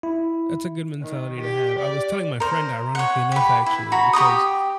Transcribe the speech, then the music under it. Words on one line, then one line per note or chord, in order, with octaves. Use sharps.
that's a good mentality to have. I was telling my friend, ironically enough, actually, because
E4
D#3
G4
D5
A#4 C5
C#5 F#5
G4 B4
E4
F#4 A#5 B5
G4 B5 C#6 D#6